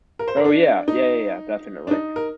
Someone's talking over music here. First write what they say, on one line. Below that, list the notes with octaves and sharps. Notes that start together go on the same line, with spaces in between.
Oh, yeah. Yeah, yeah, yeah, definitely.
A#4
C5
A#4
D4
D#4
D4
D#4
A#4